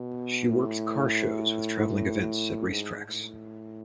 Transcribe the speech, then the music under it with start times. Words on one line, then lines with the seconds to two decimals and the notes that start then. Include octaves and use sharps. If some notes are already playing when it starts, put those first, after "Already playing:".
She worked car shows with traveling events at race tracks.
Already playing: B2
0.49 A2
2.70 G#2
3.06 A2